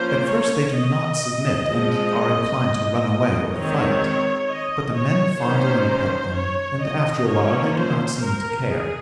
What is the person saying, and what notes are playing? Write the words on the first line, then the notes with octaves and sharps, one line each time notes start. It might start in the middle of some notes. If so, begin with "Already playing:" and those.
At first they do not submit, and are inclined to run away or fight, but the men fondle and pet them, and after awhile they do not seem to care.
Already playing: F3 A#3 C#4 C5
C#5
D#5
F3 G#3 C4
D#3 G#3 C4 C#5
D#5
C#5
D#3 A#3 C#4 C5
C#5
D#5
F3 A#3 C#4 C#5
C5
A#4
G#4